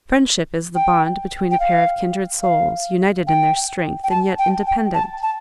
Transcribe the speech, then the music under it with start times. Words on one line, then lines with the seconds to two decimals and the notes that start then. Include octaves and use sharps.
Friendship is the bond between a pair of kindred souls, united in their strength, and yet independent.
0.75 G5
1.51 G5
1.60 F5
2.43 F5
3.27 G5
4.03 G5
4.10 A5
4.39 G5
4.67 G5
4.94 A5
5.22 A5